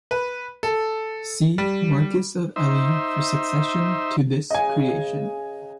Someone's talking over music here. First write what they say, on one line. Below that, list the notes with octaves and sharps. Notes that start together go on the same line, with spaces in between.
See Marquess of Ely for succession to this creation.
B4
A4
G3
D#4 C5 E5
C#3 D#5 G#5